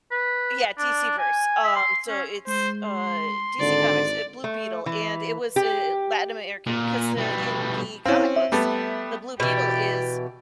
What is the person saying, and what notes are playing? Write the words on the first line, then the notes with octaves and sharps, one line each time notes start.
Yeah. DC Verse. Um, so it's, uh, DC Comic's, eh, Blue Beetle, and it was, eh, Latin American. ‘Cause, uh, in the comic books, the Blue Beetle is
B4
D4
G#5
E5
C6
C#4
G#3 C5
C6
G#1 D3 D5
A3
E3
G4
A#2
B2 G3
C4 C#4 E4 F5
E5
G3 A3 B3
B2 E3 G4 D5